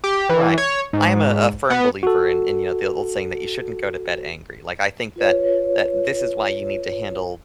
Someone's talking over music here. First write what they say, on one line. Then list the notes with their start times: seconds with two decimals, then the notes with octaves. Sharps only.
Right. I am a a firm believer in in, you know, the old saying that you shouldn't go to bed angry. Like, I think that that this is why you need to handle
0.04 G4
0.29 E3
0.58 C#5
0.93 G#2
1.70 B3
2.03 F#4 A4
5.16 F4 B4 C#5